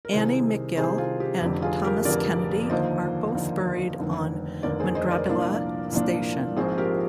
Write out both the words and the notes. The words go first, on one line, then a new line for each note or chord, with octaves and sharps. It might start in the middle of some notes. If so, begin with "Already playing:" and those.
Annie McGill and Thomas Kennedy are both buried on Mundrabilla Station.
A#4
C2 C3 D#3 G#4 C5
C2 C3 D#3 G#4 C5
F4 G#4
G4
F1 F2 D3 G4
F4 G#4
G4 A#4
F1 F2 D3 A#4 D5
D#2 D3 F3 A#3 C5 D#5
D#2 D3 F3 A#3
F1 D#2 D3
F1 D#2 D3 A#4 D5
G#4 C5
C5 D#5
A#4 D5
C2 A#2 F3 A#3 D4
C2 A#2 F3 A#3 D4
A#1 G#2 F3 C4 G#4 C5
G4 A#4